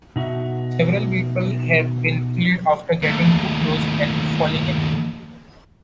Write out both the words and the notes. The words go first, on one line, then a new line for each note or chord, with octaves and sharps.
Several people have been killed after getting too close and falling in.
B2 D#4 F#4 E5
D#2 A2